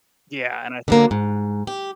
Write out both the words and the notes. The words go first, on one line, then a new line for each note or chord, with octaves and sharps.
Yeah, and I think
D3 F#3 A#3
G#2
G4